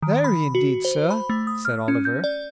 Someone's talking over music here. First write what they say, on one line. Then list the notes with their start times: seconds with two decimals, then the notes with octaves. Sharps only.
'Very indeed, sir,' said Oliver.
0.03 D#3
0.24 B5
0.55 F#4
0.85 C5
1.10 B5
1.30 A3
1.47 D#6
1.65 F6
1.88 C#4
2.05 G6
2.24 D5